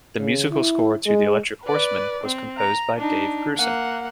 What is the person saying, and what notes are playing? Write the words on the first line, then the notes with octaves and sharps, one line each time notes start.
The musical score to "The Electric Horseman" was composed by Dave Grusin.
C#3
E4
G#3
B4 D5
C4
A#5
D4 D#4
A#3 F#5